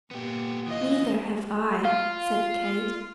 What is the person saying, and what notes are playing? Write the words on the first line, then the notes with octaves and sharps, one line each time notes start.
"Neither have I," said Kate.
A#2 B3 G4
E3 F4 D#5
F4 F5